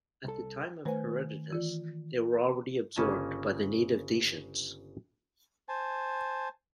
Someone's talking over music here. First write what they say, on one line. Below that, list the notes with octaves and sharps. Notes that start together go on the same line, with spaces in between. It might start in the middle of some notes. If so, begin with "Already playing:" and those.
At the time of Herodotus they were already absorbed by the native Dacians.
C2 A4
D#3 A3 B4 C5 F#5 G#5
E3 F4 D5
G1 C#3 A#3 C#4 D#5 A5
C5 G#5 A5